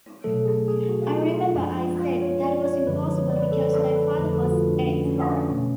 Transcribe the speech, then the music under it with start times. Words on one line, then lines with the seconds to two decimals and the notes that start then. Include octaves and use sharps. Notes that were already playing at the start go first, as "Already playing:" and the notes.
I remember I said, that was impossible because my father was dead.
0.24 B2 F#3 A3 A4
0.46 G#4
0.68 G#4
0.89 F#4
1.11 F4
1.34 F4
1.55 F#2 F3 G#3 D4
1.77 F4
1.99 F4
2.21 C#5
2.43 D5
2.65 C#5
2.87 F#2 D3 F3 G#3 B4
3.08 C#5
3.30 D5
3.42 B4
3.52 A4
3.74 A4
3.96 B4
4.18 F2 D3 F3 A3 B4
4.34 A4
4.43 F#4
4.51 F4
4.68 D4
4.83 C#4
5.05 C#4
5.27 D4
5.49 B2 A3 C#4